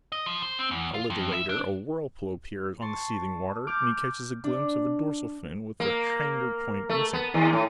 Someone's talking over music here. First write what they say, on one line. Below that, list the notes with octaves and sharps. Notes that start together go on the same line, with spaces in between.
A little later a whirlpool appears on the seething water, and he catches a glimpse of a dorsal fin with the hinder point missing.
D#5
F3
C5
C4
E2
F4
F2
E5
D4
A5 C6 C#6
D6 F6 G6
D4
A#3
A3
B3
D#2
A2